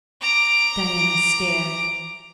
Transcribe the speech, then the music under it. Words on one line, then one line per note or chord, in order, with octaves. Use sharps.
Diana stared.
A#5 D6